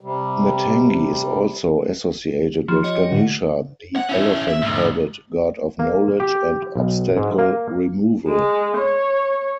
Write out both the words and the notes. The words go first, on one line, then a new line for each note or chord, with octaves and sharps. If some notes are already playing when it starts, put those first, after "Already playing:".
Matangi is also associated with Ganesha, the elephant-headed god of knowledge and obstacle removal.
C3 G3
F3 F4 G4
C#5 D#5 C#7
G5 A#6
A2 D3
F#5
C#4 E4
E5
D2 G#2
A#3
G4
B1
G#2
A#3
G#3
C#5